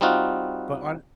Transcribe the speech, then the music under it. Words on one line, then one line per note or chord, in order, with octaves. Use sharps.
But hone
G3 C4 D#4 F4 F#4